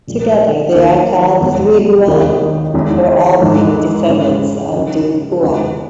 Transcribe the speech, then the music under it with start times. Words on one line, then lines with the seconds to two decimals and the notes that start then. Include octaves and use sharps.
Together they are called the Three Huan for all being descendants of Duke Huan.
0.07 A#1 A#2 G#3
0.74 D#2 D#3 A#3 D#4
1.41 E2 B2 G#3 B3
2.07 D#2 D#3 F#3 A#3 D#4
2.74 E2 D#3 G#3 C#4 E4
3.41 G#2 E3 G#3 D#4
4.07 C#2 C#3 G#3 C#4
4.74 C#2 C#3 F#3
5.41 E2 D#3 G#3 C#4